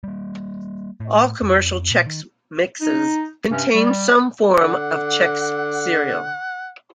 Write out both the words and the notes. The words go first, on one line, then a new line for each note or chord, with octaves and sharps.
All commercial Chex mixes contain some form of Chex cereal.
G3 A#3
A2
F2 F3
A#2
D#3
D#4
G2 C3 C#4
G3
D3 F#5